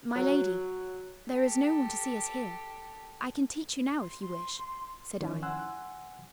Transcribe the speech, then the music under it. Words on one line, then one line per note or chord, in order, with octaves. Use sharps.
"My lady, there is no one to see us here; I can teach you now, if you wish," said I.
F#3
G4 A4
C6
D#3 F3 C#4 E4
F#5 G#5 C6 E6 F#6